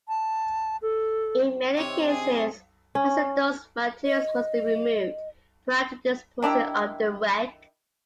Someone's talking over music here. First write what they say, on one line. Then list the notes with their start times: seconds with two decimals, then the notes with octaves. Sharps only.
In many cases, hazardous materials must be removed prior to disposing of the wreck.
0.08 A5
0.82 A4
1.77 C3 D#3 C4 C#5
2.08 G#4
2.95 C#4
4.06 D#5
6.42 D#3 D4 E4 G4